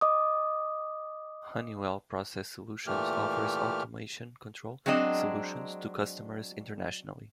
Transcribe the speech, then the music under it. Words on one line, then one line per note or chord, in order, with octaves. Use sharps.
Honeywell Process Solutions offers automation control solutions to customers internationally.
D#5 D6 D#6
A#2 E3 A3 G4 F6
F#3 G#3 C4 D4 D#5